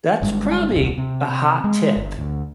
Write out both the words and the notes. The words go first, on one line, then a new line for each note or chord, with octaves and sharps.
that's probably a hot tip.
G1 G2 G#3
D#1 C2
C3
G#3
G1
D2